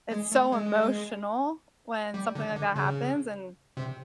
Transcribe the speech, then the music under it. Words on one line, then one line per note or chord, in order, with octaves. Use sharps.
it's so emotional when something like that happens and,
G#3
A3
G#3
G3
D3
D3
C#3
C3